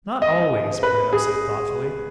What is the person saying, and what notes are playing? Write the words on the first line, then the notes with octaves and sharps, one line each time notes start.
"Not always," Bruno said thoughtfully.
D#5
B4
G#4